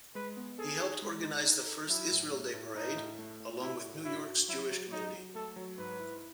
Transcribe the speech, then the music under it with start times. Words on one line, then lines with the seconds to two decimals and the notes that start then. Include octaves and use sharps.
He helped organize the first Israel Day Parade, along with New York's Jewish community.
0.15 G#3 B4
0.37 B3
0.59 G#4 A4
0.80 D#4
1.02 G#3
1.24 D#4
1.45 D#4
1.67 A4
1.89 F#3 E4
2.11 A2
2.32 A3
2.54 A2
2.75 A2 D#4
2.97 A2
3.19 A3
3.40 A2
3.62 E4 F#4
3.84 A2
4.04 E4 F#4
4.27 F#4
4.48 F#3 E4
4.70 F#3
4.92 F#3 D#4
5.13 F#3
5.35 A3 A4
5.56 F#3
5.78 G#2 B4
5.99 E4